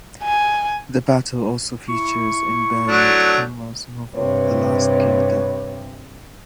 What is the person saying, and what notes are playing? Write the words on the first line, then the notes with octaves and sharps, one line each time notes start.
The battle also features in Bernard Cornwell's novel "The Last Kingdom".
G#5
E4 C#6
F#3 A3 D4
G2 C3 B4 C#5